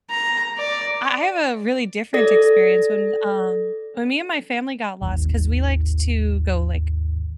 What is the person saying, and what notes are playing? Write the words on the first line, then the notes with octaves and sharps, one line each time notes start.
I I have a really different experience when, um when me and my family got lost- 'cause we liked to go, like,
A#5
D5
A4 D5 A#6
G#1 D#2